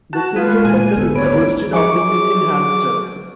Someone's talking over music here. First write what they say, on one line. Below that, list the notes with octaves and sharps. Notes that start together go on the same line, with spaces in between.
The Syrian Desert is the origin of the Syrian hamster.
F#4 A5 F#6
G#3 F4 B4
A#2 G#5
G#1 D2 B3 A4
D4 C#5 B5 D7
F3 F#3 G#4 C#6 D6